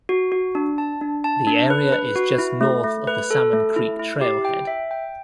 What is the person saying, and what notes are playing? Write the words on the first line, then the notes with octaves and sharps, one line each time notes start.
The area is just north of the Salmon Creek trailhead.
F#4
F#4
D4
A5
D4
A5
D4
B4
B4
F#4
E4
A3
A3
B4
A4
A3
E4
E4
G4
G5
E5
G5